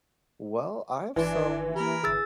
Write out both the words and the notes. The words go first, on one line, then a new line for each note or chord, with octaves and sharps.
Well, I have some
G1 E3 D4 B4 C6
A#3 G4 A#4 B5
G#1 D3 G#4 E6 A6